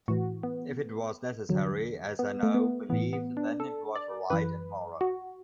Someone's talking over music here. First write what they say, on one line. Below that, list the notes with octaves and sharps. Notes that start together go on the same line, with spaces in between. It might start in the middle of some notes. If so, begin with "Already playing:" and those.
If it was necessary, as I now believe, then it was right and moral.
A2 E3 F#4
B3
E2 D3 F#3
B3
A3
B3
A2 E3 B3
B3
D4
A4
D5
F#2 E3 B4
F#4